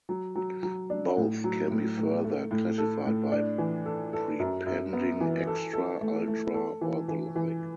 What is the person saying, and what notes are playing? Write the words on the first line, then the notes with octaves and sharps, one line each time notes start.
Both can be further classified by prepending "extra", "ultra" or the like.
F#3
F#3
F#3
D4
A2
F#3
A2
A2
A3
A2
A4
A2
D4
E3
A4
A4
F#2
F#2
B3
E3
A4
A4
A3
A3
A4
E3
E3
E3